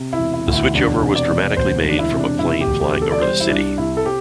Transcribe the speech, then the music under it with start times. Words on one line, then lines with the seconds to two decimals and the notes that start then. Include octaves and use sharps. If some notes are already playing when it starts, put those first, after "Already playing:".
The switchover was dramatically made from a plane flying over the city.
Already playing: C3
0.13 E4
0.19 E1
0.34 E4
0.47 D2
0.53 E4
0.74 E1 D4
1.02 C3
1.15 D5
1.30 E1
1.57 D2 C5
1.84 E1
1.89 D4
1.99 E4
2.11 C3
2.19 D4
2.39 E1 E4
2.61 G4
2.67 D2
2.81 G4
2.95 E1
3.02 A4
3.12 D5
3.22 G3 C5
3.40 E4
3.49 C2 D4
3.78 C3 E4
3.97 A4
4.06 C4 G4